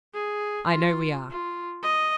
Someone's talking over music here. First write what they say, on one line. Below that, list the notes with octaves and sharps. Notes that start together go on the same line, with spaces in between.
I know we are!'
G#4
F4
F4
D#5